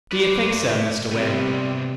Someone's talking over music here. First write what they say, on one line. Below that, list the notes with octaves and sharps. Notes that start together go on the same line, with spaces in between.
'Do you think so, Mr Wegg?
B4 D5
C3 G3 B3 C4